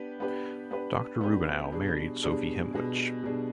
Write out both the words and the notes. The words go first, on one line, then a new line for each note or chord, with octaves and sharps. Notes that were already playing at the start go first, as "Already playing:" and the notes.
Doctor Rubinow married Sophie Himwich.
Already playing: B3 D4 G4 B4
B3 D4 G4 B4
B3 D4 G4 B4
B3 D4 G4 B4
B2 G3 D4 G#4
B2 G3 D4 G#4
B2 G3 D4 G#4
B2 G3 D4 G#4